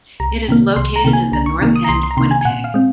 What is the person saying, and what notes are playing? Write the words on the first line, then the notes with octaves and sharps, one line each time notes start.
It is located in the north end of Winnipeg.
C2 A#5
C3 D#3 A#3
C2 C6
A#5
C3 D#3 A#3
G#5
C2 A#5
C#6
C3 D#3 A#3
D#6
A#5
C2 C6
C6
A#5
C3 D#3 A#3 C6
G#5
G#5
A#2 F#5
F5
G#3 C4